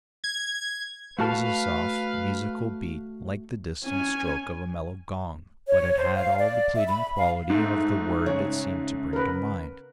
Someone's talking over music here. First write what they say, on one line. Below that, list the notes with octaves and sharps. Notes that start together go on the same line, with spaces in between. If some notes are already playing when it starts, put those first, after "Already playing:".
It was a soft, musical beat, like the distant stroke of a mellow gong, but it had all the pleading quality of the word it seemed to bring to mind.
G#6
A3 F#4 B4 F5 A5
C#4 G#5
C#5
C5
F5
D5
E5
B5
F5
G#2 A3
C#3 C#5
A#4 B4